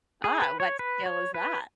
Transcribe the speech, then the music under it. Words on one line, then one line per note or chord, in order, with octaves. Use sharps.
Ah, what skill is that?
G#4
B4
C#5
B4
C#5
B4